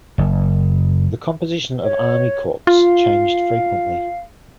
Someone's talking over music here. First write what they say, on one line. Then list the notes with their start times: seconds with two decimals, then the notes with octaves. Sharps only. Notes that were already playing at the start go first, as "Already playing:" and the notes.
The composition of army corps changed frequently.
0.18 F#1
1.81 C#5
2.67 F4 F5